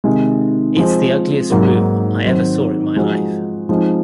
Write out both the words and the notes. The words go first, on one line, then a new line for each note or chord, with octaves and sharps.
It's the ugliest room I ever saw in my life.
C3 D#3 G#3
F3 G#3 C4
G#2 F#3 A#3
D#3 F#3 C4
F3 G#3 D#4 F#4
F3 G#3 C4 D#4